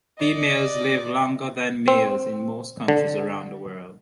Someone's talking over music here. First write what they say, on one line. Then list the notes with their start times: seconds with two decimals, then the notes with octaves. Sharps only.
Females live longer than males in most countries around the world.
0.19 D5 D#5
1.88 C4
2.88 D3